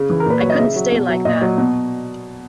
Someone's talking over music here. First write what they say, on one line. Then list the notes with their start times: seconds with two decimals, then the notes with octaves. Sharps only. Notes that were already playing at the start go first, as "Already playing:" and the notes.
I couldn't stay like that.
Already playing: C#3
0.10 E3
0.20 A#4
0.26 A#2 B4
0.40 F#3 C#5
0.50 D#5
0.59 C#3 E5
0.76 F#3
0.92 B2
1.09 F#3
1.25 A#2 D#5
1.42 F#3
1.58 B2